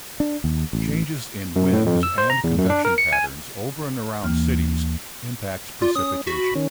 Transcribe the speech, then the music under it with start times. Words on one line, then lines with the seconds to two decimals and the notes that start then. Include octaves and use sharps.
Changes in winds and convection patterns over and around cities impacts precipitation.
0.20 D4
0.44 D#2
0.73 A1
1.56 F#2
1.73 A2
1.86 F2
2.03 E6
2.18 C5
2.30 A#5
2.44 E2
2.58 F#2
2.70 D4
2.85 A#4
2.98 C#7
3.13 G#5
4.22 D#2 E3 A#3 F6
5.82 F4 D5
5.95 C#4 D#6
6.27 F#4 B5
6.55 D#3 C#4